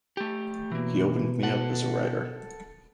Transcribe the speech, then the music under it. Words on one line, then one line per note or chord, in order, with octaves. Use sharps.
He opened me up as a writer.
A3 G4
B2 E3 A#3
A4 F#5